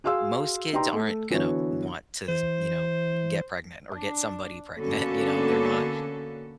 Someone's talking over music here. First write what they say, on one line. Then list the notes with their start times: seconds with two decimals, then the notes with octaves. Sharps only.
most kids aren't gonna want to, you know, get pregnant or get somebody pregnant. You know? They're not
0.04 F#4 G#4 F5 C6 E6
0.73 D#4 G4 B4 G5 A#5 C6
0.93 A3
1.30 D3 E3 B3 F#4 C#5
2.28 E3 C5
3.93 D4
4.78 D3 A#3 B3 C#4 F#4 A4